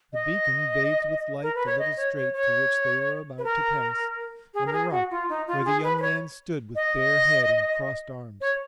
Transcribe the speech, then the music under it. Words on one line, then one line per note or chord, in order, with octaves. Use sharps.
The beacon bathed with light the little strait through which they were about to pass and the rock where the young man stood with bare head and crossed arms.
D#5
A#4
B4
C#5
D#5
C#5
C#5
C#5
B4
A#4
G#4
A#4
G#4
F#4
F4
D#4
F4
G#4
B4
B4
C#5
D#5
C#5